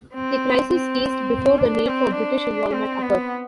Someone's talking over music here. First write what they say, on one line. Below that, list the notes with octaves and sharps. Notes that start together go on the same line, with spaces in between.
The crisis eased before the need for British involvement occurred.
C4
C4
D4
C4
D4
C4
B3